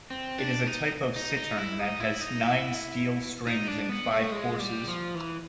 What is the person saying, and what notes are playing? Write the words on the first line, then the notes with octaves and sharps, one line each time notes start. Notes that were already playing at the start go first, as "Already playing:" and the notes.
It is a type of cittern that has nine steel strings in five courses.
C4
D4
D#4
D#4
D#4
E4
D#4
E4
D#4
E4
D#4
D4
B3
A3
G#3
G3
F3
E3